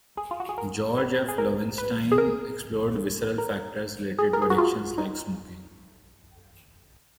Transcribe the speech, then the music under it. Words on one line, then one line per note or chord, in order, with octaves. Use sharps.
George F. Loewenstein explored visceral factors related to addictions like smoking.
G#4
F4
F#4
G#4
A#4
B4
G#4
A#4
B4
G#4
A#4
A#4
G#4
A#4
G#4
F#4
F4
D#4